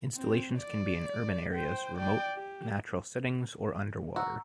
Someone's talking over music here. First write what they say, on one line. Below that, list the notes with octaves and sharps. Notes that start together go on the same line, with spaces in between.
Installations can be in urban areas, remote natural settings, or underwater.
C4
D5
C5 G5
D5 G5
G4
F#4 A#5 E6